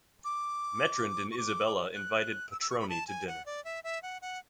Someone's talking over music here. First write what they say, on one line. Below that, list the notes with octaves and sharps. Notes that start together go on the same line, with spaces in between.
Metrand and Isabelle invite Patroni to dinner.
D6
C#6
D6
F#6
E6
E6
C#6
B5
A5
G#5
F#5
D5
E5
E5
F#5
F#5